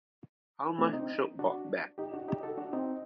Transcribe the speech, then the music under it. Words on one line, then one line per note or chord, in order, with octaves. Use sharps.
How much should Bob bet?
A3 C4
D4
C4 D#4
D4 F#4
D#4 G4
D4 F#4
D#4 G4
F#4 A4
D4 F#4
C4 D#4